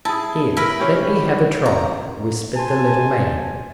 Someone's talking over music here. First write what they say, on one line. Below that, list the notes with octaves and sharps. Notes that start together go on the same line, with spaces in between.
"Here, let me have a try," whispered the little man.
E4 G#4 A5
E4 A#4 B4 B5
E3 C#4 G4
A#5
C5 G#5 A5